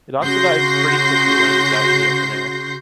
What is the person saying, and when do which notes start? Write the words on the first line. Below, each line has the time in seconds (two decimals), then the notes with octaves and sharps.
It oxidizes pretty quickly when it is out in the open air.
0.22 C#3 F#4 C6 G6 A#6 C7